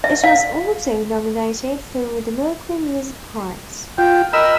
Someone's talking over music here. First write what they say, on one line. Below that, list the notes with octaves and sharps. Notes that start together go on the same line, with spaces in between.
It was also nominated for the Mercury Music Prize.
E5
F5
F4 G5
A#4 D#5 B5 E6